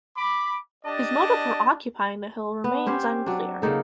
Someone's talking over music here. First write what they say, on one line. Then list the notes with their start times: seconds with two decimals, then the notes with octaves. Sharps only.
His motive for occupying the hill remains unclear.
0.17 B5 D6
0.85 D4 G4 D5 D#5 A5
2.64 B3
2.86 C4 C#4 G4 C5
3.26 F#3 D4
3.62 C#3 A#3 D#4 A4